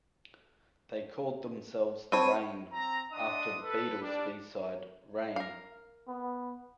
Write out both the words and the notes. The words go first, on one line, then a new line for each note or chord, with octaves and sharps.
They called themselves The Rain, after The Beatles' B-side, "Rain".
C4 C#5 A5 B5 D#7
C4 A#5
D4 D#5 F#5 C6 D#6
A4 B4
G3 D4
A#4 F5
B3